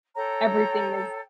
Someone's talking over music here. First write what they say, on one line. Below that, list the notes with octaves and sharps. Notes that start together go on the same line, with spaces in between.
everything is
A4 C#5 G5 A#5